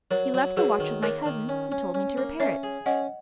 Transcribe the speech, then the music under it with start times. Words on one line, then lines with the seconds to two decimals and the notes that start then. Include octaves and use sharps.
He left the watch with my cousin, who told me to repair it.
0.11 F#3 A#4 C#5
0.34 F#3
0.57 F#3 G#4 B4
0.80 D#3
1.03 A#3 A#4 C#5
1.26 D#3
1.49 C#4
1.72 C#4
1.94 C#4
2.17 A#3
2.40 C#4 C#5 E5
2.63 G#4
2.86 C#4 D#5 F#5